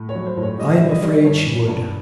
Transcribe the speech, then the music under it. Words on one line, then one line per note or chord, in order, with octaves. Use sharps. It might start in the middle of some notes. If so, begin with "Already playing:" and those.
'I'm afraid she would.
Already playing: A2
C#5
F#3
C5
A2
C#5
G3 D#5
E5
G3
D#5
G3
D5
G2 C#5
E3
G2